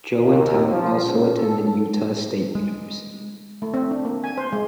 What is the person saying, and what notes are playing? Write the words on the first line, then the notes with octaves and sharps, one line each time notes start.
Joe and Tom also attended Utah State University.
D#2
F3
C#2
A4
G#3
A3
C4
D4
A#3
G#5
C5
G#3